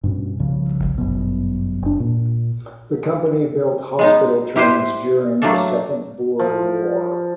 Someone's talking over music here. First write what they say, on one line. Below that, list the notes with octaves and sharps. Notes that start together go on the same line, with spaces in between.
The company built hospital trains during the Second Boer War.
G2 B2 C#4
C2 C#3 F3
G1 F#2 B2
F#1 D4
A#2
G#3 B3 D#4
E4 G4 B4 C5
F#3 A3 A#3 D4 A4
F3